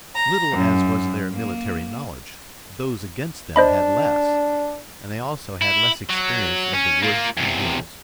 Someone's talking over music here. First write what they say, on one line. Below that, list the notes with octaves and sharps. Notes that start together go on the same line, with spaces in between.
Little as was their military knowledge, those against them had less, and they also had less experience of the woods and hills.
A#5
F#2
A#3
D4 C5 D#5 B5
E4
F#3
C#4
A#3 F4
E2 C3